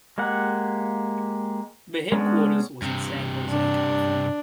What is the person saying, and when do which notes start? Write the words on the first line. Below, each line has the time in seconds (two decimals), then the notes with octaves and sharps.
The headquarters was in San Jose, California.
0.18 G#3 A#3 G4 F#5
2.12 G#3 B3 C#4 D4
2.82 G2 C3
3.50 D4